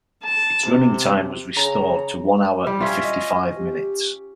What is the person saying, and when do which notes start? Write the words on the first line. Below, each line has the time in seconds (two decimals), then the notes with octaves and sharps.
Its running time was restored to one hour and fifty-five minutes.
0.23 A5
0.66 C3
1.57 C#3 A#5
2.67 G3
2.80 C#4 F4 E5
3.04 D#5
3.56 G4